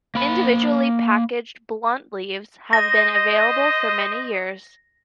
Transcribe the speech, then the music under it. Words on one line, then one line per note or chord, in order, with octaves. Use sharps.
Individually packaged blunt leaves have been available for many years.
A#3 B5
C5 D#5 A#6